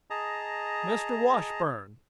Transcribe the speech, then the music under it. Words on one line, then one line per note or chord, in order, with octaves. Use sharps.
"Mr. Washburn!"
G#4 D#5 A5 A#5